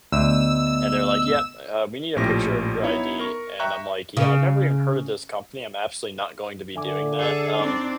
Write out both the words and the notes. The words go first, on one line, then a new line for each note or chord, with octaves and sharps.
and they're like, "Yep, uh, we need a picture of your ID." And I'm like, "Yeah, I've never even heard of this company. I'm absolutely not going to be doing that." Um,
D2 B3 D#5 E6
A#1 A2 F3 C#4 G4 A#6
B3 D#4 E4 C#5
A#4 C#6
E5 G5 A#5 C#6 F#6
C#3
D3 E5 G#5 D6
G#4 A4
C4 D4 D#4